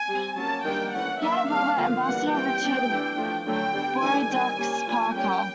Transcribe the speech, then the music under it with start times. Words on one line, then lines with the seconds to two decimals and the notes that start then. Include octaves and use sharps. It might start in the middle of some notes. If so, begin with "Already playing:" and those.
He had a brother, Ambassador Richard Bordeaux Parker.
Already playing: G#5
0.08 G3 C4
0.37 F#3 A#3 C#4 A5
0.65 D#3 G3 A#3 D4 G5
0.93 E3 A3 C#4 F#5
1.21 F#3 A#3 D4 E5
1.48 D#3 G3 C4 F5
1.77 D3 F3 A#3 F5
2.05 E3 G3 A#3 F#5
2.33 E3 G3 C4 G5
2.61 G3 B3 D4
2.90 E3 A3 D4
3.17 F3 A3 D4
3.45 D3 F#3 A3 G5
3.73 G3 B3 D4
4.01 E3 A3 D4 G#5
4.30 D#3 G3 C4 G#5
4.58 G3 A#3 C#4
4.86 F3 A3 D4
5.14 G3 A#3 C#4 G5